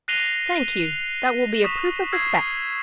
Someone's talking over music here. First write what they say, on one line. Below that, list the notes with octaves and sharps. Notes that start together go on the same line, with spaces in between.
"Thank you; that will be a proof of respect."
F#6 A#6 C7 D#7 F7 G7
C#6 D#6 B6 E7
E6 F6 G#6 C7